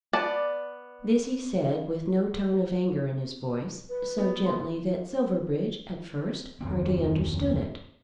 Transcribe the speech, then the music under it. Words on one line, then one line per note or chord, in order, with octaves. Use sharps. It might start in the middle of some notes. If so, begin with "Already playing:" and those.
This he said with no tone of anger in his voice,--so gently that Silverbridge at first hardly understood it.
B3 D5 A5
B4
B3
C6
D1 F2 D#3 C4